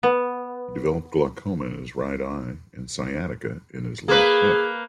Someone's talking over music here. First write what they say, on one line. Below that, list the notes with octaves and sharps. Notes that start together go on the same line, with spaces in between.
He developed glaucoma in his right eye, and sciatica in his left hip.
B3
A#3 G#4 B4